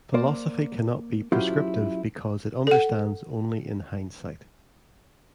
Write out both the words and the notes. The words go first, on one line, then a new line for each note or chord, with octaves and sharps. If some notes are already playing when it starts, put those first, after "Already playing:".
Philosophy cannot be prescriptive because it understands only in hindsight.
A#3 C5 D5
F#3 C#4 E4 F4 G4 C5
A4 F#5